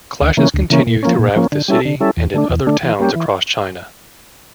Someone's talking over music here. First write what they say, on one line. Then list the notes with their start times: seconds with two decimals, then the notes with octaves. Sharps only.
Clashes continued throughout the city and in other towns across China.
0.21 D2
0.37 C#3 E3 A#3 C#4
0.54 D2
0.70 C#3 E3 A#3 C#4
0.87 A#2
1.03 F3 A#3 C#4
1.19 A#2
1.36 F3 A#3 C#4
1.52 D3
1.68 G3 C#4 E4 A4
1.85 D3
2.00 G3 C#4 E4 A4
2.17 E2
2.34 D3 A3 D4
2.49 E2
2.67 D3 A3 D4
2.83 E3
2.99 G3 A#3 C#4 G4
3.16 E3